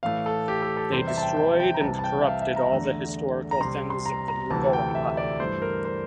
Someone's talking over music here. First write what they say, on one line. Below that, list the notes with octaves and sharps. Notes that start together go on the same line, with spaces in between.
They destroyed and corrupted all the historical things of the Mughal Empire.
A2 E3 A3 F5
A4
G4
A4
A4
E2 C3 E3 G3 C5
E5
A5
G5
G5
G5
A#5
C2 C3 E3 A5
A5
G5
E5
F5
E5
A#5
E2 D3 A3
A#5
C2 C3 G3 C6
C6
A#5
A#5
D2 C3 E3 A3 A5
G5
E5
D5
G2 E3 A3 C5
A#4
C5